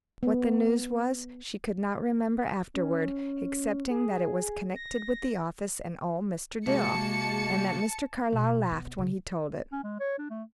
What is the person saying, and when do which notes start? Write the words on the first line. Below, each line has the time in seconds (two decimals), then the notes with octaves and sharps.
What the news was, she could not remember afterward, excepting that it was connected with the office and old Mr. Dill, and that Mr. Carlyle laughed when he told it.
0.23 B3
2.74 C#4
3.90 G#4
4.76 A#6
6.67 C3 G#3 A#3 F#4 A5 C#7
8.32 B2
8.71 B3
8.98 C#3
9.72 C#4
9.84 G#3
10.00 C#5
10.19 D4
10.30 A3